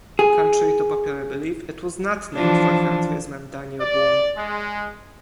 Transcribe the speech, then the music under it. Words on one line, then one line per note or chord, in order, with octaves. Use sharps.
Contrary to popular belief, it was not named for frontiersman Daniel Boone.
G#4
E3 F3 D4
D5
G#3